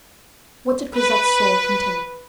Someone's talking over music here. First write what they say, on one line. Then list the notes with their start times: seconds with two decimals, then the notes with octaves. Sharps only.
What did Cosette's soul contain?
0.95 B4